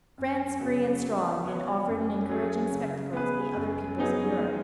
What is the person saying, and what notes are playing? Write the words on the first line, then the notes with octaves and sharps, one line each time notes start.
France free and strong had offered an encouraging spectacle to the other peoples of Europe.
F#2
C#3 F#3 B3
F#3
B3 F#4 C#5
F#2
F#3 C#4 G#4
C#3
B3 G#4 B4
F#2
F#3 B3 D#4 G#4
G#3